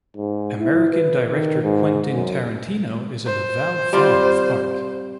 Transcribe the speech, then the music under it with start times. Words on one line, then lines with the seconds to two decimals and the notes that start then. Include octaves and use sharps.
American director Quentin Tarantino is an avowed fan of Park.
0.17 G#2
0.59 E4
0.92 B4
1.29 D#3
1.63 G#2
2.12 F#2
3.27 C5
3.93 G3 C4 F4